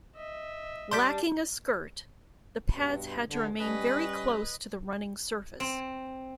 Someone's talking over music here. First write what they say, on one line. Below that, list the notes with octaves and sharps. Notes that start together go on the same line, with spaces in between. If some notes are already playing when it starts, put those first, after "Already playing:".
Lacking a skirt, the pads had to remain very close to the running surface.
D#5 E5
G3 D4 C6 G6 B6
G2 B2
G2 D3
G3 C#4 B4 D#5
C4